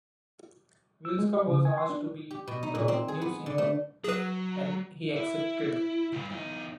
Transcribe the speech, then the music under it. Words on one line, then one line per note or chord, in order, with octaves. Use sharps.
Wilska was asked to be the new singer, and he accepted.
E6
G#3
G4
C#3
G#5
C6
D4
G4
B2
D#4
A#2
C4
G#4
B3
D3
A3
F#3 G#4 B4
E4
D2 G2
E2 D#4